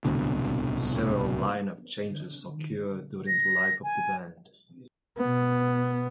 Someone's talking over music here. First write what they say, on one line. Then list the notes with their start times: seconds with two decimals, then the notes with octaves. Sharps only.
Several line-up changes occurred during the life of the band.
0.05 D1 C2 B2 D3
3.27 A#6
3.84 G#5
5.17 B2 B3